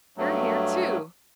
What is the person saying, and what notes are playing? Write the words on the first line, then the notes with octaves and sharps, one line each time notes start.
You're here, too!
G2 F#3 A3